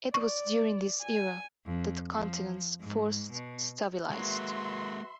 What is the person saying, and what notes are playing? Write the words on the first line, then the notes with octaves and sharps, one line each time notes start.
It was during this era that the continents first stabilized.
D5 C#6
G#5
F2
F3
G#2
B2
F#3 G#3 A#3 F#4 B4 E5 C6